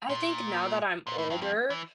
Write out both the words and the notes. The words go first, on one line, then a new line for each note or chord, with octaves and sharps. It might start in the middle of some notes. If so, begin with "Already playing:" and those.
I think now that I'm older,
A#2
A#2
A2
G2
F2
E3